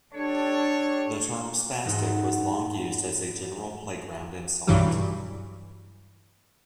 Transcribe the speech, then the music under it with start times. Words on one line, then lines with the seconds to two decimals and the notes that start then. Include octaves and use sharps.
The term "spastic" was long used as a general playground insult.
0.15 D4 G4 A4 C#5
1.85 E2 G#2 D#4 F#5
4.67 B1 G2 E3 F#3 G3